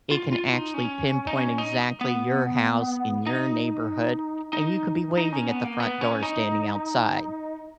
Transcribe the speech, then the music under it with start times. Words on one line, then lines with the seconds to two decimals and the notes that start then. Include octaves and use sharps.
it can actually pinpoint exactly your house in your neighborhood, and you could be waving at the front door standing outside,
0.11 F4
0.33 F4
0.53 D#4
0.74 C#4
1.27 D#4
1.37 C#4
1.58 D#4
2.01 B3
3.27 D#4
4.53 D#4
5.17 D#4
5.32 C#4
5.48 B3
5.65 A#3
5.80 B3
6.01 C#4
6.23 D#4